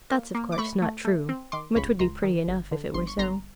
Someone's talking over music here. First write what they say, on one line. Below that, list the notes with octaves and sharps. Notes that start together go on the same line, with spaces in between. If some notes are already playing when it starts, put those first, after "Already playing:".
That's, of course, not true: but 'twould be pretty enough if it were so.
A#3
A#3
D6
A3 B5 C#6
A3
A3
C4
D#3 C6 D6
C#2 B5 C#6
C#2 A#5 C6
D#3
G1
D3
G1 C6
C#6
G1 A#5 C6